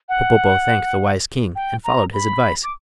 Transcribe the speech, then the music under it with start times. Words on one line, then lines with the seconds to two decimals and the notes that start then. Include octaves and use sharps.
Popopo thanked the wise king and followed his advice.
0.09 F#5
1.56 G5
1.84 A#5
2.14 B5
2.63 D6